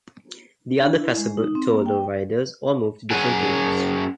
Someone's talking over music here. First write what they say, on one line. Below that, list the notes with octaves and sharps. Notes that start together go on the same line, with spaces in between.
The other Fassa Bortolo riders all moved to different teams.
D4
E4
G#3
D#4
C4
A#3
G5
F#2 C#4 G#4 F#5 G#5